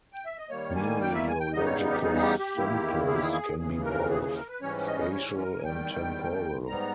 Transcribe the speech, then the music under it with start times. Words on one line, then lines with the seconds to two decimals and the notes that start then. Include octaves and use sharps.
Mereological simples can be both spatial and temporal.
0.13 G5
0.25 E5
0.38 D#5
0.50 D#3 G3 A#3 C#5
0.76 G#5
1.01 G5
1.14 E5
1.27 G#5
1.40 G5
1.53 E2 C#3 G3 B3 D#4 D#5
1.66 C#5
1.91 G4
2.04 G#4
2.15 G#4
2.21 G4
2.39 G4
2.56 E2 D#3 A#3 E4
3.07 G#4
3.15 G4
3.22 G#4
3.33 G#4
3.58 D#2 C#3 E3 G#4
3.85 A#4
4.10 G#4
4.23 G#4
4.36 A#4
4.49 B4
4.61 G#2 E3 G3 C#4 C#5
4.87 D#5
5.00 D#5
5.12 C#5
5.39 A#4
5.58 G#5
5.64 E2 D#3 G3 G5
6.67 G#2 G3 B3 A#5